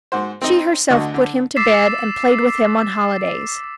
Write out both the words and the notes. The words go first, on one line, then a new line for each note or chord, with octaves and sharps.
She herself put him to bed and played with him on holidays.
G#2 F#4 C5
C4 D#4
D2 D3 D#5 F#5 C#6
D3
D6 E6 A6 B6 C7 E7